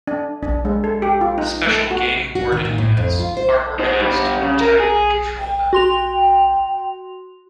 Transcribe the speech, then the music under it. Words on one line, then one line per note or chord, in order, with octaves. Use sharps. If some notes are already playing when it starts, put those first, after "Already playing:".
Special game warden units are organized to protect and control them.
D4
D4
G#3
A4
G4
F4
D#4
A3
F#4
F#4
D#3
A#2
A2
F2
F4
C5
D#4 C5
D3 G3
C#3
A#4
G#4
G5
F#4 C6 F7